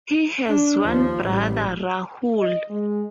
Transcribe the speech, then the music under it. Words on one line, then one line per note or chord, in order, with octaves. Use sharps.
He has one brother, Rahul.
D4
D#2 F3
A1 G3
D#5
G#3